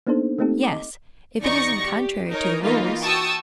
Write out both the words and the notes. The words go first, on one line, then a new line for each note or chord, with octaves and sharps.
"Yes, if it isn't contrary to the rules."
A#3 B3 D4 D#4 A4 C5
A3 A#3 C4 D#4 G4 A4
D#5 D6
E2 D#4 D5 C#6 A#6
G4
D#4 A#4 C#5
E3 A#3 D#4 F4
F#4 G5 A5 C#6 D#6 E6